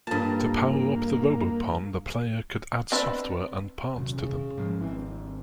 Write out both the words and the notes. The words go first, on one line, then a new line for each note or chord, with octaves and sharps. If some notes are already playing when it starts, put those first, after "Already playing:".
To power up the Robopon, the player could add software and parts to them.
G2 A#3 F4 A4 A#4 A5
C4 D4 B4
D#1 F#2 C3
C#3
G#2 F3 G#3
G#1 E3 C4
G2